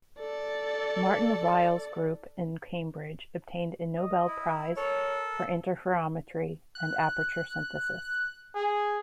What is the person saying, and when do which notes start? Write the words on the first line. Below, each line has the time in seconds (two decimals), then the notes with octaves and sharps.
Martin Ryle's group in Cambridge obtained a Nobel Prize for interferometry and aperture synthesis.
0.19 A4 D5
3.98 D#5
4.27 E4
4.76 A4 A#4 C#5
6.75 F#6
8.55 G#4